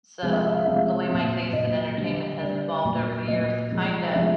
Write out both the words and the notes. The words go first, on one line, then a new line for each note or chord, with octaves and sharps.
so the way my taste in entertainment has involved over the years kind of
C3 F3 G#3
E5
E5
F5
C3 F3 G#3 E5
A#2 F#3
A#2 F#3 D#5
D3 G3
D3 G3 D5
A#2 F#3
A#2 F#3 D#5
C3 F3 G#3
C3 F3 G#3 E5